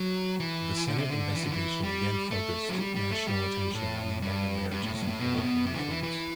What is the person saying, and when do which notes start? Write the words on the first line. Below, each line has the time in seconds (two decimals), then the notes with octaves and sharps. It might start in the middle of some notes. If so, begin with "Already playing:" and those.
The Senate investigation again focused national attention on Mormon marriages and political influence.
Already playing: F#3
0.40 E3
0.87 D3
0.98 C3
1.11 D3
1.35 E3
1.43 D3
1.50 E3
1.83 G3
2.31 A3
2.69 F#3
2.79 G3
2.95 G3
3.11 A3
3.27 G3
3.74 A2
4.22 G2
4.71 G2
4.83 A2
4.95 A2
5.03 G2
5.07 A2
5.19 B2
5.34 A2
5.43 B2
5.66 C3
5.74 E3
5.78 D3
5.90 E3
6.03 E3